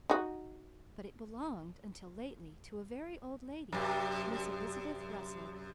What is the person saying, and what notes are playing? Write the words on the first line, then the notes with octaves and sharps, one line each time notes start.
But it belonged until lately to a very old lady, Miss Elizabeth Russell.
D#4 F#4
F#2 C3